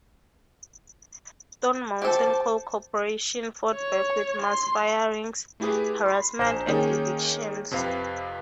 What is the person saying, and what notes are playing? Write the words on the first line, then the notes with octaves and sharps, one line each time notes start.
Stone Mountain Coal Corporation fought back with mass firings, harassment, and evictions.
G4 A4 C5 A5
C#5
C6
A3 E4 G4 G#4 B4
B5 C6
A#1 C5 G#5 A#5 G6 E7
D#3 A#3 C#4 G#4 C#5 G5
F2 C3 B4 F5 C7